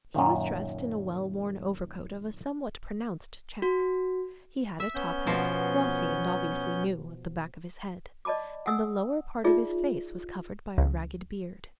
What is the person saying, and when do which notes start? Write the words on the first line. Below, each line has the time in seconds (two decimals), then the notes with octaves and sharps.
He was dressed in a well-worn overcoat of a somewhat pronounced check, he had a top-hat, glossy and obviously new, at the back of his head, and the lower part of his face was covered by a ragged beard.
0.14 F#2 A#2 D#3
3.62 F#4
4.80 E5
4.95 B3 C#4 G6
5.27 B2 F3
8.25 D5 D#5 A5 B5 D6
8.66 F#5 G#5 D#6 E6
9.44 D#4 F4 G#4 D5 E5
10.78 C#2